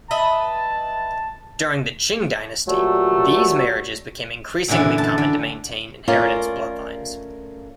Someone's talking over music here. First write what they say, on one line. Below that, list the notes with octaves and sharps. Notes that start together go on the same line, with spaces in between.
During the Qing dynasty, these marriages became increasingly common to maintain inheritance bloodlines.
B4 D#5 E5 A5
A#2 F#3 G3 A3
F#2 A#2 D3 E3 E4
A5
D3
A3 C#4 F4 A#4 D5